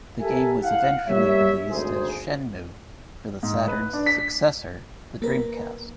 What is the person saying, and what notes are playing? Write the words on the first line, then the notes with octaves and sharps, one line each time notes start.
The game was eventually released as "Shenmue" for the Saturn's successor, the Dreamcast.
G4 A4 A#4 E5 G#5 A5
E4 F5 F#5
G3 A#3 C#5 E5
G#1 D2 G#4 C5
G#2
B4
D4
B6
A#3 A#4 B4